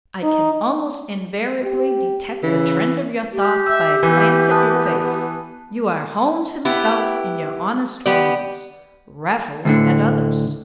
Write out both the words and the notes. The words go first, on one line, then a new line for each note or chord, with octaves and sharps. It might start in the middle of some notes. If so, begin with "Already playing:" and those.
I can almost invariably detect the trend of your thoughts by a glance at your face--you are Holmes himself in your honest moments, Raffles at others.
D#4
G4
C#3 E3
G4
E5 E6
E3 B3
A5 D#6 F#6
B3 E4 G4
B3 G4 D5
D2 A2 D3